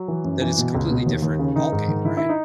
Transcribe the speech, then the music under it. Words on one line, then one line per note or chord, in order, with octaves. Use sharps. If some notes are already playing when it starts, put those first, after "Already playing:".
That is a completely different ballgame, right?
Already playing: F#3
E3
F#2
E3
B2
C#2
B2
D#2
D#2
C#3
D#3 D#4
G#2
D#3
D#3 E4
E4
D#4